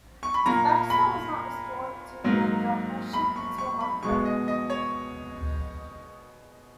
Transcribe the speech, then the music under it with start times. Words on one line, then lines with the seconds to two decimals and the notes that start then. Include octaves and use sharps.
Baxter was not restored to the governorship until a month later.
0.23 C#6
0.34 B5
0.46 A#2 A#3 A#5
0.90 B5
2.24 G#2 F#3 A#3
3.13 B5
3.36 C#6
3.58 C#6
3.81 B5
4.03 B2 G#3 B3 C#6
4.25 D#5
4.48 D#5
4.70 C#5